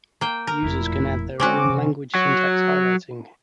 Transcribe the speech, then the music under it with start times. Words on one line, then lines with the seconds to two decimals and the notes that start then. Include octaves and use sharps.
Users can add their own language syntax highlighting.
0.21 A#3 G5
0.47 A#4
0.62 F#1 F2 A#2 A3 E4
1.40 G#3 C4 C#4 F#4 D6
1.65 C3 E3
2.15 F#3